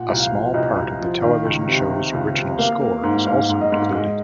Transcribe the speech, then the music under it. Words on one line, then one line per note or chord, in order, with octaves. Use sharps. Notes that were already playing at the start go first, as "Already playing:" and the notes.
A small part of the television show's original score is also included.
Already playing: A#2 F#5
C2
F5
F3
C2 D#5
C2
F3
D#3 F5
C#2
C3
C3
C#2
C3
A#3 F5
A#3
G#2
G#2 F5
G#2
D#5
G#2
G#3